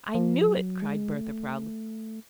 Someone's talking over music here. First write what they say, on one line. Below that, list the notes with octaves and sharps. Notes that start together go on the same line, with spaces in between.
"I knew it!" cried Bertha, proudly.
F3
F#3
G#3
A3